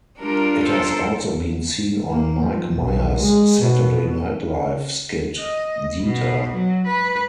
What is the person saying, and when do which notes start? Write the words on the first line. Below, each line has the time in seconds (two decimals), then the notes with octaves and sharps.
It has also been seen on Mike Myers "Saturday Night Live" skit "Dieter".
0.19 G3 D4 F4 A#4
0.62 A4 A#4 C5
2.11 A#3
2.42 F3
2.74 B1
3.17 G#3
3.61 B2
5.39 D#5
6.02 B2
6.54 F#3
6.87 B4